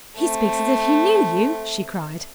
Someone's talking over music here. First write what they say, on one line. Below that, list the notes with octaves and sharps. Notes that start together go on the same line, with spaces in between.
"He speaks as if he knew you!" she cried.
A3 C4